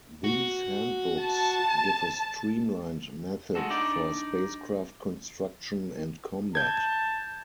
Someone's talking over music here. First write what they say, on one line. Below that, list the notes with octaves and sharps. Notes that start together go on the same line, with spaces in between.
These handbooks give a streamlined method for spacecraft construction and combat.
F#4
A5
G#3 F#4 A4
D4 D#4 D5
A5 G6 G#6